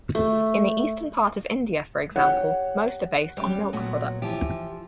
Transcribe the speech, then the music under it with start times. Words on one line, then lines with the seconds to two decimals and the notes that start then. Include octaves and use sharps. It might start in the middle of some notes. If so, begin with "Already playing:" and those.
In the eastern part of India, for example, most are based on milk products.
0.15 A3
2.16 G4 C#5 F#5
3.37 G3 C#4
3.73 A#2 F#3 B3
4.22 E3 F3 G4